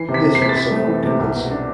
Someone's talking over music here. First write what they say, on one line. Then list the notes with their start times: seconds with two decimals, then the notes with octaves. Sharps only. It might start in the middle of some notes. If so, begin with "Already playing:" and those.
This was so far convincing.
Already playing: E3 C7
0.09 C3
0.14 B6
0.24 C3
0.35 C7
0.40 C3 B6
0.49 A6
0.55 C3 B6
0.71 A3
0.88 E3
1.03 C3
1.20 C2
1.35 B2
1.51 D4